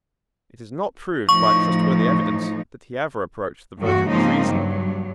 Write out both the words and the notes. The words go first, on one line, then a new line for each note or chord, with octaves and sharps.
It is not proved by trustworthy evidence that he ever approached the verge of treason.
A2 F3 D#4 C#6
E2 G2 A#3 F#4
G#2 C#3 F3 A#3 C4 D#4
G2 F#3